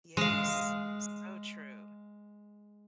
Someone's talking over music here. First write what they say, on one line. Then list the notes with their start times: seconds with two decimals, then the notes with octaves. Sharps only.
Yes, so true.
0.17 G#3 F5